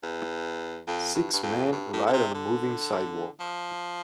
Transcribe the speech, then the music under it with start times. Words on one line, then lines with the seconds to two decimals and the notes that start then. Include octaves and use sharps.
Six men ride on a moving sidewalk.
0.03 E2
0.87 F2
1.14 G2
1.33 G2
1.43 F2
1.72 G2
1.93 A2
2.07 D3
2.13 C3
2.34 D3
3.40 F3